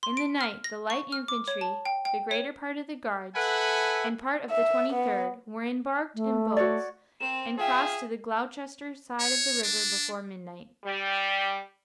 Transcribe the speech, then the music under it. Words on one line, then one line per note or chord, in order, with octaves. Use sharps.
In the night the light infantry, the greater part of the guards, and part of the Twenty-third were embarked in boats and crossed to the Gloucester side of the river before midnight.
C6
D7
F6
A#6
C#6
F6
D6
C#5
A5
G5
G5
C#5
A4 B4 E5 F#5 G#5 B5
E5
B3
A3
F#4 C#5 D5
C4 A#4 E7
F4 G#4 E5 F5 G5
C#5
D4
G3